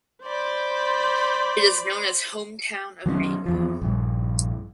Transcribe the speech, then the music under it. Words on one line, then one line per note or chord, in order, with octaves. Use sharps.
It is known as "Hometown of Mango".
C5 D5 B5
D#3 F#3 B3 C#4
E2 F3
A#1 G2